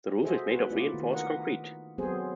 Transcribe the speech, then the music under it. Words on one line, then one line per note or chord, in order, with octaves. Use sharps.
The roof is made of reinforced concrete.
F#4 G#4 A4 C5 D#5 E5
B3 F#4 B4
A3 A#3 E4 F4 D5
D#3
A#4 B4 D#5 F#5
F#3 B3 C4 G#4 A4 C5